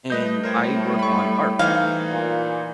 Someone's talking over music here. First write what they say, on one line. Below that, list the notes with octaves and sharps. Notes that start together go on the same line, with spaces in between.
And I work on art.
G3 A3 B4 D#5 G6
A2 A#4 C5 G#6
B5 C#6
E3 D#4 C5 F5
A#2